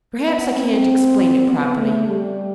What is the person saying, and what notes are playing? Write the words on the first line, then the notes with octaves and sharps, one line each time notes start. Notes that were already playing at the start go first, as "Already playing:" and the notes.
Perhaps I can't explain it properly.
B3
C4
B3
A3
G3